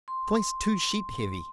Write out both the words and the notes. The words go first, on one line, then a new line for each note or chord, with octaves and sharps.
Twice two sheep heavy.
C6